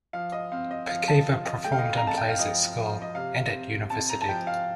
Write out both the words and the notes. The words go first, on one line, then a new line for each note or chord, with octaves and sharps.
Pickhaver performed in plays at school and at university.
F3 F5
D#5
C4 F5
D#5
F3 F5
A5
F4
D#5
A3 G5
F5
D#5
F5
C4 A#5
A5
G5
F5
F3 D#5
F3
D#5
C3 F5
C4
C4 A5
A#5
A5
F3 G5
F5